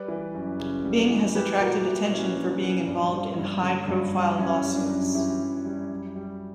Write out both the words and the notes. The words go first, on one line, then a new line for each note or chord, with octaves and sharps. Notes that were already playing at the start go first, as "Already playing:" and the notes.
Bing has attracted attention for being involved in high-profile lawsuits.
Already playing: G3 B4 D5
E3
F#2
C#3
G3
E3
G3 G4 B4
A#2 F#4 A#4
A#2 E4 G4
G3 C#4 E4
G3 D4
A#2 C#4
G2 D4
G3
G2
D3
G2
G3
F#2 C#4 E4
G3
D4
F#2
E3 E4 G4
F#2
G3
F#2
G3